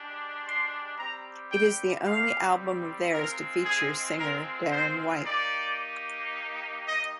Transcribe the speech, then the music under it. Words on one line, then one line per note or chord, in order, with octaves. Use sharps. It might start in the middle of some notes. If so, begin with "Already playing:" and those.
It is the only album of theirs to feature singer Darren White.
Already playing: G#3 D4 G4
C6
G3 C4 G4 A#5
G5
F5
G#3 C4 F4 A#4
G#4
A#4
C5
A#3 D#4 G4 D5
D#5